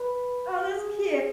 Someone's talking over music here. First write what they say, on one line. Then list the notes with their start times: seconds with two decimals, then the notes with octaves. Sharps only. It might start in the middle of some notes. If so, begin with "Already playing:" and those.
Oh, that's cute.
Already playing: B4
0.75 G#4